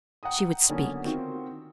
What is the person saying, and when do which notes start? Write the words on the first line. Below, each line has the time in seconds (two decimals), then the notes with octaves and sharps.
She would speak.
0.23 F#5 G5 A#5 D#6
0.69 D3 F#3 A#3 B3 C#4 D#4
1.04 D#3 C4 F4 F#4